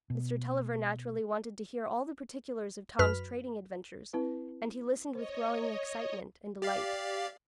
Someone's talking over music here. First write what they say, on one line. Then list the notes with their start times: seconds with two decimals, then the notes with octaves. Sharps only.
Mr. Tulliver naturally wanted to hear all the particulars of Tom's trading adventures, and he listened with growing excitement and delight.
0.10 B2
2.99 F#2 B4 F6
4.13 C4 E4 B4
5.15 C5 C#5 D#5
6.62 G4 D5 F5